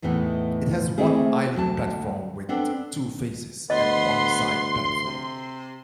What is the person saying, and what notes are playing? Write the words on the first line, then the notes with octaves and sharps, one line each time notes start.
It has one island platform with two faces, and one side platform.
E2 A2 E3 B3 D#4
A3 A#3 C4 D#4 E4 G#4
D2 F#3 G5 A5
B3 C4 D4 A4
D2 B3 D#5 C6
C3